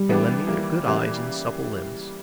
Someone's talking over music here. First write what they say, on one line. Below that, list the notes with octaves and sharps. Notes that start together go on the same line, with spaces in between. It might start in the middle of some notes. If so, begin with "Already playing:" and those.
They lend me their good eyes and supple limbs.
Already playing: G3
E3 B3 D4 G4
E3 G3 A#3
C#3 E3 G3 A#3